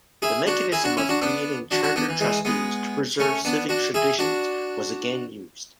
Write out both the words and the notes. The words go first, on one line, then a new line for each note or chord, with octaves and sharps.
The mechanism of creating charter trustees to preserve civic traditions was again used.
E4 G#4
D4 F#4
E4 G#4
D4 F#4
C#4 E4
D4 F#4
B3 D4
D4 F#4
D4 F#4
B3 D4
E3
E3 G#3
G#3 B3
A3 C#4
B3 D4
D4 F#4
E4 G#4
D4 F#4